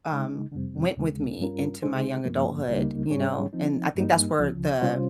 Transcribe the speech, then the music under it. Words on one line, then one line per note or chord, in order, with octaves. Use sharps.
um, went with me into my young adulthood, you know? And I think that's where the
C#3 G#3 D#4
F2 C3 G3 C4
D#2 C#3 G#3
G2 G3 C#4 F4 A#4
C#3 G#3 D#4 G#4 C5
G2 F3 A#3
C#2 C#3 G3 A#3 D#4
G#2 G3 C#4 G#4 C#5
F3 C4 D#4
G2 G3 A#3 D#4
C#2 C#3 F3
C3 G3 C#4 F4 C5